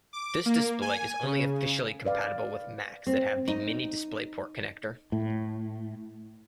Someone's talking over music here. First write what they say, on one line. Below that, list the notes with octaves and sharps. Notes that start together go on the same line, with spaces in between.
This display is only officially compatible with Macs that have the Mini DisplayPort connector.
D6
A#3
G#5
C#3
B4 D5 F5
C4
D#4
A2